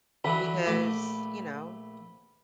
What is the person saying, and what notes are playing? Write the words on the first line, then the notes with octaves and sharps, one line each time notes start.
because, you know
D3 E3 F#3 B5
A#1 A3 D6